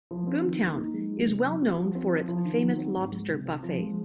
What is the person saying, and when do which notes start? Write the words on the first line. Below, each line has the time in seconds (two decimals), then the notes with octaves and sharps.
Boomtown is well-known for its Famous Lobster Buffet.
0.11 F3
0.27 C4
0.44 D#3
0.61 A#3
0.77 D#4
0.94 G#3
1.11 F3
1.27 C3
1.45 F#3
1.62 F#4
1.78 F3
1.95 C4
2.11 F3
2.28 F3
2.45 D#3
2.62 F#3
2.78 C4
2.96 G#2
3.12 G#3
3.29 C3
3.46 C4
3.63 F3
3.80 G#3